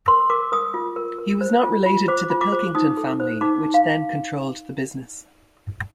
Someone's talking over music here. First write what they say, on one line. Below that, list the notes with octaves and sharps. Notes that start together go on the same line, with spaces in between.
He was not related to the Pilkington family which then controlled the business.
A#4 C6
A#4 D6
A#4 D#6
F4
A#4
A#4
C5
F4
F4
C5 D6
F4
D6
C5
D#4 D#6
A4
C5
D#4 D6
D#4
F5